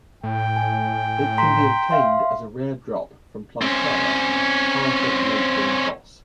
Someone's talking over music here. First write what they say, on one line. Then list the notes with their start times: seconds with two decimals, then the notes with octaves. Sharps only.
It can be obtained as a rare drop from Plantera, a powerful late-game boss.
0.23 A2 G5
0.56 G#5
1.38 A#5 C6 B6
1.91 E5 F5 C6
3.61 C4 C#4